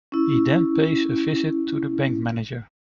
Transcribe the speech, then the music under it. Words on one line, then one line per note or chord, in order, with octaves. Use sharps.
He then pays a visit to the bank manager.
C#4 E4